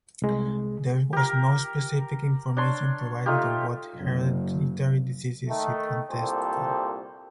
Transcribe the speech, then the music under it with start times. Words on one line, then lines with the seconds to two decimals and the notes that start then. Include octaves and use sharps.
There was no specific information provided on what hereditary diseases it can test for.
0.22 C2 G#3
1.13 G4 A#4
2.57 D4 C#5 C6
3.26 A3 D#4 F4 G4
4.00 F#1
5.49 D#3 A3
6.10 C2 A#2 G4 A4 C5